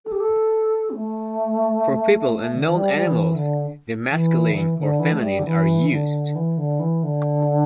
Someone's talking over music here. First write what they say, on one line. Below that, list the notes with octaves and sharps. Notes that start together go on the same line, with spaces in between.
For people and known animals the masculine or feminine are used.
A4
G4
A4
C4
A3
D3
E3
G3
G3
E3
D3
E3
D3
E3
D3
E3
A3
G3
D3
E3
D3
E3
D3
E3
D3